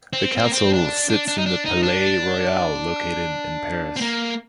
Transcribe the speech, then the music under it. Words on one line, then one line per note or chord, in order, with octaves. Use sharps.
The Council sits in the Palais Royal located in Paris.
C4
C4
A#3
C4
D4
D4
D4
D#4
D4
D#4
D4
C4
A#3